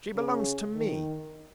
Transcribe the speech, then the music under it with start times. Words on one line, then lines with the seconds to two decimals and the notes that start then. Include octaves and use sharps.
She belongs to me.
0.15 C#3
0.75 D#3